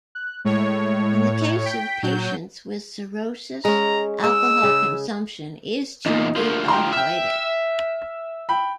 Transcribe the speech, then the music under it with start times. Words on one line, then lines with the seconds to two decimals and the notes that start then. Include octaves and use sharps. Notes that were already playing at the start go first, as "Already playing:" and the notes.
In the case of patients with cirrhosis, alcohol consumption is to be avoided.
0.15 F#6
0.45 A2 G#3 C#5
1.66 G5 B6
2.03 A#2 F#3 G6
3.65 G#3 C#4 A#5
4.24 G#3 E6
4.63 C#3 G#4
6.06 E2 A#2 D#4
6.36 D2 F3 A#3
6.68 G5 A#5 C6
6.93 E5 G5 F6
8.49 G5 B5